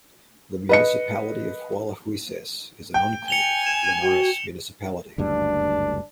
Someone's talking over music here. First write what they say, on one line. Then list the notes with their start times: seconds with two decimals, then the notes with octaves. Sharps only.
The municipality of Hualahuises is an enclave of Linares municipality.
0.69 B4 D#5 C#7
2.94 G5
3.28 G#5 C#7 F7 G7
3.66 E7
4.02 F#4
5.18 F#1 D2 G2 D4